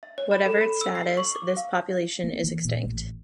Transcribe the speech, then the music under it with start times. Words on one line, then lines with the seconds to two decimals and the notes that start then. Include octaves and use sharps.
Whatever its status, this population is extinct.
0.03 E5
0.18 C#5
0.31 B5
0.46 A4
0.61 B5
0.81 E6
0.95 C7
1.17 C#6
1.35 D6
1.57 F5
2.24 A#3
2.44 E3
2.65 A#2
2.85 A1